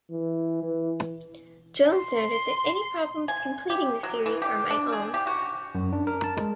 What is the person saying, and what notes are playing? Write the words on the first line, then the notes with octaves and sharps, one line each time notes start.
Jones noted that Any problems completing the series are my own.
E3
E3
C6
G#5
G4
F#3
E3
G4
D4
G#4
G4
F#4
F#2
D4
A#4
A5
G#3